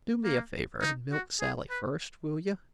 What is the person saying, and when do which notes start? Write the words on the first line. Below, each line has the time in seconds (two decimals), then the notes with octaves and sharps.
Do me a favor and milk Sally first, will you?
0.24 A#3
0.82 D#4
1.12 F#4
1.41 G#4
1.70 B4